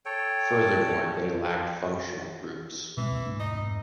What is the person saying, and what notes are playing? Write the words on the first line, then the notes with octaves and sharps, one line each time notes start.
Furthermore, they lack functional groups.
A4 C#5 G5
B2 E3 G#3 C4
D#2 G#2 B2
G#2 A3 D4
D#4
F2 G#2